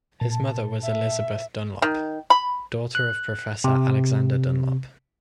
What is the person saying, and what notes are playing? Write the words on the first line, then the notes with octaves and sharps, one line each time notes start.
His mother was Elizabeth Dunlop, daughter of Professor Alexander Dunlop.
A#2 A5
E5
D#3
B5
F#6
C3